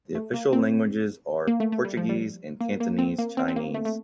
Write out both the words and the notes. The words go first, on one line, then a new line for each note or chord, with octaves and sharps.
The official languages are Portuguese and Cantonese Chinese.
A3
A#3
C4
A#3
A3
A3
G3
F3
G3
A#3
A#3
C4
A#3
C4
C4
A#3
A3
A3